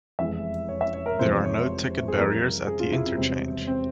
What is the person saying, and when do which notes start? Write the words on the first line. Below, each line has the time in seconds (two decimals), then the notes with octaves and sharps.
There are no ticket barriers at the interchange.
0.19 F1 E2 E3 G#3 E5
0.69 C#5
0.81 E5
0.94 C#5
1.06 A#4
1.19 F1 E2 C3 F3 G#3 C5
1.44 C#5
2.08 G#4
2.18 F2 E3 G3 A#4
2.67 G#4
2.80 F4
2.92 E4
3.05 C4
3.17 E1 E2 C3 G3 C4
3.67 C4